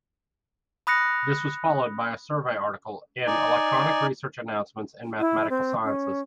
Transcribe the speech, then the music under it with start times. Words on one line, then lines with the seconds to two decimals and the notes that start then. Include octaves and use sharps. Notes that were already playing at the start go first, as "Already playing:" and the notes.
This was followed by a survey article in Electronic Research Announcements in Mathematical Sciences.
0.87 B5 D#6 F#6 A#6 C#7
3.27 D#4 D5 G#5
5.20 E4
5.50 C4
5.84 C#4